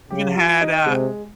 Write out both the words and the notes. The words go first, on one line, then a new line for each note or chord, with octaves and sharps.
even had a
C#3 G4
F4
D#4
C3 G#3